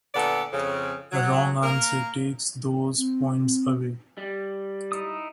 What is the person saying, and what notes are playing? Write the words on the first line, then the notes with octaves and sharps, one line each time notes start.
A wrong answer takes those points away.
A#2 D3 B3 A4 D5
F2 C#3
F#3
A#3 A#4
C4
G3
D#4 E4 D#6